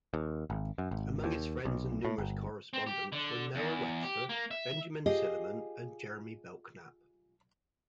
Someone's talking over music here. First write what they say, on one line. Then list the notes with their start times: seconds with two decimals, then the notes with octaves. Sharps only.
Among his friends and numerous correspondents were Noah Webster, Benjamin Silliman and Jeremy Belknap.
0.14 D#2
0.50 G#1
0.78 F#2
0.91 G#1
1.24 D#2
1.65 B1
2.05 A2
2.18 G1
2.73 C4
2.87 G4
3.12 D3
3.55 E2
4.03 G4
4.29 A#3
4.51 E5
5.06 F4 G4 G#4 D#5